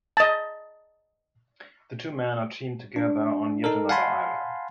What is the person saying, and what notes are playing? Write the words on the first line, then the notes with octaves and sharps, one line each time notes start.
The two men are teamed together on yet another island.
D#5 A5
D4
D#4 A4 A#4
F5 F#5 G#5 A5 B5 C6